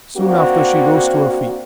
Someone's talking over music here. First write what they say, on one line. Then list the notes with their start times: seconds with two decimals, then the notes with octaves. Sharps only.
Soon after she rose to her feet.
0.17 A#3 C4 D4 F#4